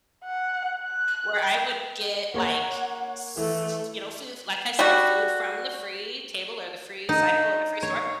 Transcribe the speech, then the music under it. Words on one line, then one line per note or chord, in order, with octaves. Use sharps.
where I would get, like, s you know, foo like I said, food from the free table, or the free cycle, or the free store.
F#5
F#6
G5
A#3 C#5 F#5 A#5
E3 A3
G3 F#4
D#4
C#5